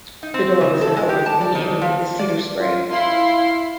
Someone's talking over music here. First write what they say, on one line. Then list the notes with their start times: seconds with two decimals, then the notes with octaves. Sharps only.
The door was then opened and he entered with his cedar spray.
0.23 D#4
0.34 C4
0.61 C#3
0.81 A4
0.97 G#3
1.09 G4
1.26 A5
1.41 D5
1.55 D#3
1.82 F3
2.19 D5
2.58 F4
2.92 E4 F5 C6